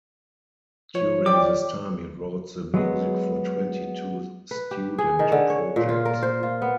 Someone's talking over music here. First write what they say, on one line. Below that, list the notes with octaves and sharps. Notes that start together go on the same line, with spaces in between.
During this time he wrote the music for twenty-two student projects.
F3 C#5
G4 D5 G5 D6
F#3 G#3 B3
B4
G4
G#4
D#3
D3
C#5
A#2
F4
A#4
C5
F4
B3